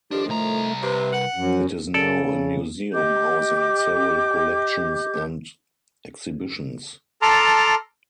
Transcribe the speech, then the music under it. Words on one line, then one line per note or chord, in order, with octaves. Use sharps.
It is now a museum housing several collections and exhibitions.
A2 D#3 F3 D4 G4
C2 A3 A#5
C3 B4
F#5
F#2 F3
C#3 A4 D5
G4 D#5 D6 G6
A4 A5 A#5 C6 D6 F6